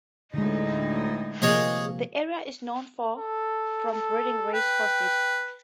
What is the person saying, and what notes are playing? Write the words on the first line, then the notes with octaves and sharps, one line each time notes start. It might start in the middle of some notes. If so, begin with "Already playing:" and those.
The area is known from breeding race horses.
D2 A2 D3 G#3 D#4
C3 F3 G#3 A#3 C#5 D#5
A4
A4
B4 G5